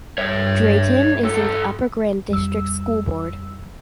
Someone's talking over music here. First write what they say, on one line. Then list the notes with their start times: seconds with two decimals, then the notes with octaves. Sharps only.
Drayton is in the Upper Grand District School Board.
0.18 G2 C#5 E5
1.23 B1 A4
2.29 F2 G3 E6